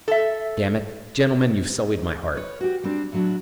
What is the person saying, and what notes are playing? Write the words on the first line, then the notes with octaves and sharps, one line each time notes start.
Damn it!... Gentlemen, you've sullied my heart!
A4 E5
B4 C#5
F#4 G4
G3 C4 D4
A2 F#3 D4